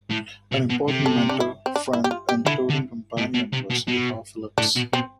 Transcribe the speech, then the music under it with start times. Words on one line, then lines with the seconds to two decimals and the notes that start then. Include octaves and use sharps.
An important mentor, friend and touring companion was Utah Phillips.
0.11 A2
0.52 B2
0.70 B2
0.88 C3
1.06 A4
1.29 D4
1.40 E4
1.66 C4
1.76 D4
1.93 E4
2.04 G4
2.11 F4
2.29 G4
2.46 D3 E4
2.70 D3
3.18 A2
3.34 B2
3.53 C3
3.70 B2
3.88 B2
4.58 A2 D4
4.76 B2
4.93 B2 C4